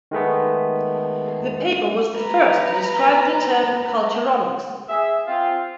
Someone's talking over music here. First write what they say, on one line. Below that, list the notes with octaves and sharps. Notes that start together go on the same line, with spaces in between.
The paper was the first to describe the term culturomics.
D#3 G#3 A3 B3
B4 A#5
G#4 E5
C4 F4